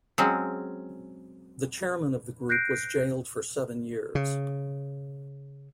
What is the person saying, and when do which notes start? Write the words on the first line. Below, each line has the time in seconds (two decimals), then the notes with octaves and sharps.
The chairman of the group was jailed for seven years.
0.18 F#3 G#3 C4 C#4
2.49 F#6 G6 A#6 C7 D7
4.15 C#3